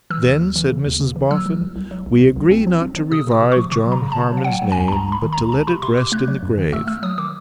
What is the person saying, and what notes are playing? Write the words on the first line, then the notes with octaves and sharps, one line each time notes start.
'Then,' said Mrs Boffin, 'we agree not to revive John Harmon's name, but to let it rest in the grave.
E3 E6
D#2
D#2
E3
C#3
D#2
C#3
E3
F#3 E6
F#3
C2
C2
F#3
C2
B2
C2
C4
F3
C4
F3
C3 D#6
C3 D6
C3
C#6
F3
C#3 C#6
F#3
A#5
C#3
A5
C#3
F#3
F5
F#3 F#5
G5
F#3
G#5
E2
A5
C#2 A#5
C#2 B5
D#3
A#5
C#2
C#2 A5
C3 B5
C3 C6
C3 D6
A3 F#6
F#3
F#2
D#3
A3 E6
A3 E6
F#3 D#6
D#3 D6